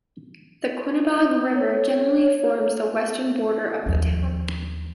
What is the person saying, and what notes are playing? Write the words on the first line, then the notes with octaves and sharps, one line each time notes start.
The Quinebaug River generally forms the western border of the town.
C#5
D#2 F3